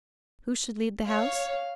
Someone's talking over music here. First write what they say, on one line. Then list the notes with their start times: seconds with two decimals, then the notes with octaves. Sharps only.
Who should lead the House?
1.08 C#5 F5